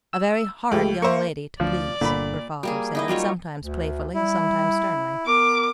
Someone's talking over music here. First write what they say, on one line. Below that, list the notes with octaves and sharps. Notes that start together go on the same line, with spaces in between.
A very hard young lady to please, her father said, sometimes playfully, sometimes sternly.
E6
C#2 G#3 A3 G4
A#3 C5 E5 C#6
D2 F3 D5
G1 A#2 D3 B5
G3 A#3 G#4
D#4 E4 D#5
F#3 G3 F4 C#5
D2
G3 E4
B3 A#4 D6